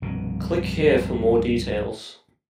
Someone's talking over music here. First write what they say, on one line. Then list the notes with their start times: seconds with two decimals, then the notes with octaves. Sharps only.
Click here for more details.
0.02 F1 C2 G2 B2